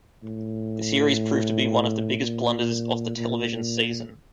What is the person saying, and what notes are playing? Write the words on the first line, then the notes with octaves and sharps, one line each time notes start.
The series proved to be one of the biggest blunders of the television season.
A2
A#2
A#2